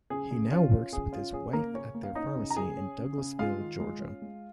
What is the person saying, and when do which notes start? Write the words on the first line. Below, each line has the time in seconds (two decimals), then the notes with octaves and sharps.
He now works with his wife at their pharmacy in Douglasville, Georgia.
0.10 C#3 G#4
0.31 C#3
0.51 C#4 F4
0.72 C#4
0.93 C#3 G#4
1.12 C#4 F4
1.33 C#4 G#4
1.53 C#3 A#3 A#4
1.74 C#3 C#4 C#5
1.94 A#3
2.04 F5
2.15 C#4 D#4 D#5
2.36 C#3
2.50 A#5
2.56 C#3 G#4 G#5
2.77 C#4
2.98 C#3
3.18 C#3
3.39 G#3 F4 F5
3.60 D#3
3.80 G#3
4.00 C#4
4.22 G#3